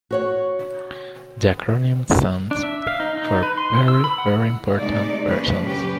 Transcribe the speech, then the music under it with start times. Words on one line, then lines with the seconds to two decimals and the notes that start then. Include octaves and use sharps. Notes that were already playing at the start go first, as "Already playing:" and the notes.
The acronym stands for "very, very important persons".
0.11 F#4 C#5 F#5
2.51 D4
2.63 E5
2.87 F5
3.00 D#4
3.17 D#4
3.43 B4
3.57 C6
3.88 E6
4.04 B5
4.18 F#5
4.78 C3 G#3 A3 D#4 D5
5.29 F3 G#3 A#3 C#4 D4 B4
5.62 F#2 A#2 C#3 C#4 G4 B4